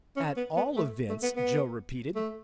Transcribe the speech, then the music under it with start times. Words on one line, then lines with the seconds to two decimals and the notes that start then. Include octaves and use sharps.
"At all events!" Joe repeated.
0.16 C#4
0.36 B3
0.56 B3
0.77 A3
1.09 A3
1.23 B3
1.36 B3
2.16 A3